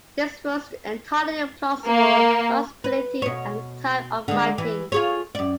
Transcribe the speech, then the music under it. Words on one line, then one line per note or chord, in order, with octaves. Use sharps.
This was an entirely plausible possibility at the time of writing.
A#3
B4
B2 C#5
D3 G#3
E3
F4 G#4 C#5
F#2 D5